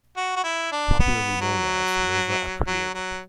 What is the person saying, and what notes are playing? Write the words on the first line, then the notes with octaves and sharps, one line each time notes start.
Popularly known as "Nova Aprile".
F#4
F#4
E4
D4
B3
F#3
F#3
F#3